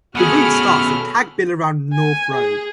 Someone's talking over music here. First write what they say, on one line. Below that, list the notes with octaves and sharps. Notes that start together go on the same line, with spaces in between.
The route starts as Tagbilaran North Road.
B2 C#4 F#4 G#4 A4 F#5 B5 F6
G#5
G#4